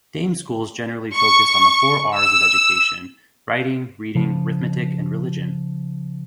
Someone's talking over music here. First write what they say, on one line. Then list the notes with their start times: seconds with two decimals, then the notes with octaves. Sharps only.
Dame schools generally focused on the four R's of education-"Riting, Reading, Rithmetic, and Religion".
1.14 C#6
2.15 E6
4.15 C#3 F3